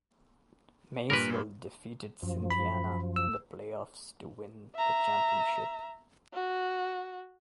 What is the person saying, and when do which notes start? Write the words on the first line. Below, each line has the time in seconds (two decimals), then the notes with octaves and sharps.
Maysville defeated Cynthiana in the playoffs to win the championship.
1.10 G2 A#2 A#4 B4
2.22 F#2 F3
2.50 B5
3.16 E6
4.76 E5 A#5
6.34 F#4